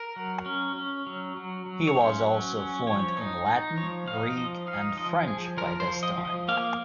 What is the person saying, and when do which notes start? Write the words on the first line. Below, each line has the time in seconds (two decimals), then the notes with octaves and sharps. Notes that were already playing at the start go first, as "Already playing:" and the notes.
He was also fluent in Latin, Greek, and French by this time.
Already playing: A#4
0.16 F#3
0.46 C#4
0.76 C#4
1.07 F#3
1.37 F#3
1.66 F#3
1.87 C#5
1.96 C#4 C5
2.26 F#3
2.57 C#4
2.87 F3 C#5
3.17 D#4
3.46 D#4
3.77 F3 C#5
4.07 D#4 F5
4.37 F3 D#5
4.67 D#4 F5
4.97 F3 D#5
5.28 F3 G#4
5.57 F3 A#4
5.80 C5
5.88 F3
6.03 D#5
6.18 F3
6.25 D#5
6.48 A#3 F5